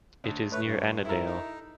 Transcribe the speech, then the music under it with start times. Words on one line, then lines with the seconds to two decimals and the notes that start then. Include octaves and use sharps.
It is near Annadale.
0.24 D2
0.52 A3 B4 C#5
0.65 G2
1.05 E4 A4 A#4
1.26 D#4